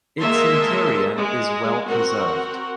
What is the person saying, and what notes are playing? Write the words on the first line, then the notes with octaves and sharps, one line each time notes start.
Its interior is well preserved.
G#3 A#3 A#4 E5 A5 C6
G#3
C4 F#4 A#4 F#5